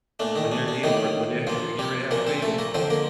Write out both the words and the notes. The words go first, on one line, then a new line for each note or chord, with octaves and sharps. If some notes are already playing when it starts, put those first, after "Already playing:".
when they're getting pre when they're when they're getting ready to have a baby.
A#2 A3 D4
D#3 D#4
D4
D4
A2 D#3 G3 A#3 D#4
G2 F3 A#3 F4
G3 G4
A#2 F3 A#3 A#4
C4 C5
A3 A4
A#3 A#4
F2 D3 F3 C4 C5
A#3 A#4